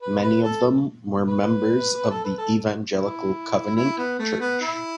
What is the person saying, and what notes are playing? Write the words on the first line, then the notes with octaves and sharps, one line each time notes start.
Many of them were members of the Evangelical Covenant Church.
B4
B4
A4
B4
A4
B4
A4
E4
E4
B3
A3
B3
E4